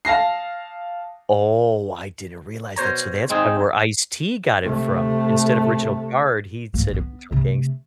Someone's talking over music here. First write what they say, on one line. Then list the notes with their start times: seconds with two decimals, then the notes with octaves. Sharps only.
Oh, I didn't realize that. So that's probably where Ice-T got it from. Instead of Original Guard, he'd said Original Gangster.
0.05 F5 A5 A#6 C7
2.76 B2 C5 C#5 A#5
3.30 G#3 C4 D#4 G#4
4.63 C3 A3
6.74 G1 A#3
6.94 B3
7.31 C3 A3